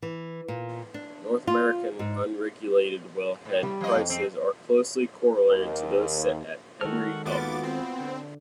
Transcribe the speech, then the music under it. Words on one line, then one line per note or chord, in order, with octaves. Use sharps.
North American unregulated wellhead prices are closely correlated to those set at Henry Hub.
E3
A#2
D4
F4
G#2
A2
G3
F3 D#5
F2
C4
D#2 A#4
D#3 G#3 F#4 A4 F6
D#2 B3 F4 F#4 B4 D6 A6
C4
D3